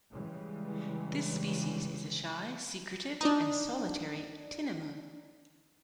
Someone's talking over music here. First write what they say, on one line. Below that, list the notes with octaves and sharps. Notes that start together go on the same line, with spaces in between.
This species is a shy, secretive and solitary tinamou.
C#3 E3 G3 G#3
D4 D#4